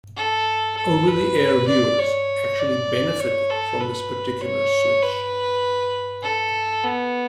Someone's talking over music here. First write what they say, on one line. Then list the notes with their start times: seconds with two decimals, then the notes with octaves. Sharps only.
Over-the-air viewers actually benefited from this particular switch.
0.16 A4
0.77 A4
1.07 B4
1.68 D5
1.99 C#5
2.59 D5
3.20 C#5
3.50 A4
3.80 B4
4.41 C#5
5.02 B4
6.23 A4
6.84 B3